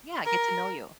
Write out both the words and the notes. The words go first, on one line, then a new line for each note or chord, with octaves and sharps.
yeah get to know you.
A#4